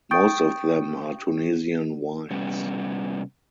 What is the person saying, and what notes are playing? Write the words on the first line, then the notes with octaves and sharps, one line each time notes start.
Most of them are Tunisian wines.
G5 C#6 D#6 G6 A6 D7
C3 G3 B3 C#4